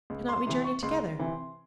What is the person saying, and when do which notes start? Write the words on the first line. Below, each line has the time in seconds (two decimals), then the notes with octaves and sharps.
Cannot we journey together?'
0.10 C#2
0.29 C6
0.47 C3 E3 C6
0.64 C#6
0.83 C#2 C6
1.19 C3 E3